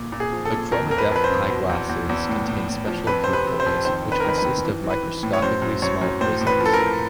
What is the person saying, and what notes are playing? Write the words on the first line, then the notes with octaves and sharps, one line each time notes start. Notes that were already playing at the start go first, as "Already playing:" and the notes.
The ChromaDepth eyeglasses contain special view foils, which consist of microscopically small prisms.
Already playing: A#2
A#2
G#4
F3
A4
A#2
F2 A#4
F2 A#4
B4
F2 B4
C5
F2
B2
E2
E2
E2
A2
A2
A2
F3
F2 B4
C3 C5
B4
C3
C5
F2
D#3 C5
D#3
B4
A#4
D#3 B4
B4
D#3
E3
E3
B4
E3
A2
C#5
F#2 C5
F#2
F#2 C#5
F#2
A2 C5
A2
B4
F3
A4
A#4
F3